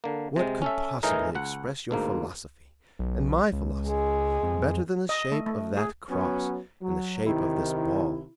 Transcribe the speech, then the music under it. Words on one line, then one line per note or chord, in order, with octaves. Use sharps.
What could possibly express your philosophy and my philosophy better than the shape of that cross and the shape of this ball?
D3 A#3
C3 G#3
C#4 A4 E5
A2 E3 D#4 G#4 A#4
C#2 F#5
D2 G#2 A#3
B1
C#2
G#3
F2
D#5
A3
A3
G#4
F#3 B3 C#4
F#3
C3 D#3 E4